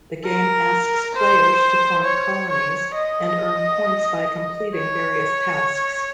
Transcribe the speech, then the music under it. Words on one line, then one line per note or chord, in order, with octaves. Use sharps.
The game asks players to form colonies and earn points by completing various tasks.
A#4
C5
C#5
C#5
D#5
C#5